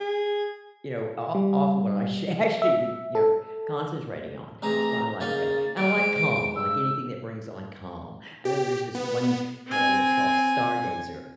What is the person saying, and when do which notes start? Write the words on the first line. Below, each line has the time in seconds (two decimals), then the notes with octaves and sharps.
you know, o off of what I sh should actually be, you know, concentrating on. So I like that, and I like calm- I like anything that brings on calm. I know there's this one color that's called Stargazer,
0.01 G#4
1.35 G3
2.62 E5
3.15 A4
4.62 A1 C3 G#4 A#5
5.20 C#3 A#3 D#4 A6
5.77 D#2 A#2 D7
5.97 G#2
6.56 E6
8.45 G4
8.95 B3
9.67 C4 G#5